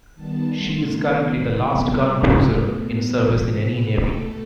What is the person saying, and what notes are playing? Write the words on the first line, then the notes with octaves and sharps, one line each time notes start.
She is currently the last gun cruiser in service in any navy.
D#3 G3 B3 A5
D#3 A3 C6
D#3 F#3 B3
C3 F#3 A3 B5
B2 G3 B3 E5
C3 F#3 A3 C5
B2 F#3 A3
B2 G3 B3
C3 E3 A3
C3 E3 B3 B4
B2 A3 A4